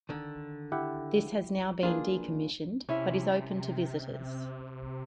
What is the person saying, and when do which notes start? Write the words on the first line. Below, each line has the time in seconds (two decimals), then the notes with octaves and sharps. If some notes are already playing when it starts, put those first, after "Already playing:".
This has now been decommissioned, but is open to visitors.
0.09 D3 D#3
0.72 E4 G4 F#5
1.83 A#3 D4 F4 G#4 B4
2.89 C3 C#4 E4 E5